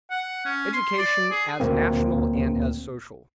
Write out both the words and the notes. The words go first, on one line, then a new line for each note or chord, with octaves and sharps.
Education as National and as Social.
F#5
C#4
C6
D5
G#4
D2 A#2 A#3 C4